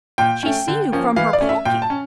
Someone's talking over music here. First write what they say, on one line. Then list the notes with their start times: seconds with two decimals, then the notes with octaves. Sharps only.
She see you from her palkee.
0.18 A#2 G5
0.43 A3 C#4
0.68 D3
0.92 F3 A#3 C#4
1.16 E3 F5
1.33 D5
1.41 A3 C#4
1.49 E5
1.65 A#2 G5
1.82 A5
1.90 C#4